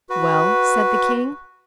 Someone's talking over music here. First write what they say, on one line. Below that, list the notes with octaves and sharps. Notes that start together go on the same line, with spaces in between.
"Well?" said the king.
F#4 B4